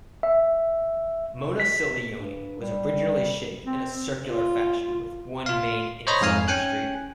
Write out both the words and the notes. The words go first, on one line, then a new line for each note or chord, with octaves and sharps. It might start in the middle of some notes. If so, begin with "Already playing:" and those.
Monacilioni was originally shaped in a circular fashion with one main intersecting street.
E5
B6
G2
G3
C4
F4
F4 F5
C5 C#5 D#5 A#5 B5 A#6
F2 G#2 F5 G#5 F6
C#4 G5 G#5 F#6